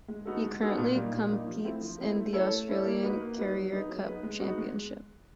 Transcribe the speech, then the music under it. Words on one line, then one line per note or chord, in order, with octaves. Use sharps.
He currently competes in the Australian Carrera Cup Championship.
G#3
B3 D#4 F#4 A4
G#3
B3 D#4 F#4 A4
A#2
G3 A#3 D#4
A#2
G3 A#3 D#4
F3
A3 C4 E4
F3
A3 C4 E4
A3
C#4 E4 A4 C#5
A3
C#4 E4 A4 C#5
A#3
D#4 F#4 B4
A#3
D#4 F#4 B4
F#3
B3 D#4 G#4 B4
F#3
B3 D#4 G#4 B4
G#3
B3 D#4 F#4
G#3